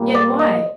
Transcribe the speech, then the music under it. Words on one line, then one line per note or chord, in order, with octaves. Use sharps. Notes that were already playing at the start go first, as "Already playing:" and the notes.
Yet why?
Already playing: A#2 G3 A#3
D5
D#5